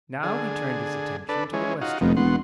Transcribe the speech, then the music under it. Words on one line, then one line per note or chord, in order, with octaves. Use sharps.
Now he turned his attention to the western dial.
D3 G#4
D4 A4 B4
E3 G#3 C#4
D#4 F4 F#4
F1 F2 B2 D#3
E1 B2 F#5 C6